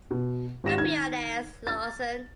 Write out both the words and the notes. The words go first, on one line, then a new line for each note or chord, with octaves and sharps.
Don't be an ass, Lawson.
B2
G#1 G4 A#6 E7
D#3 G#6
A6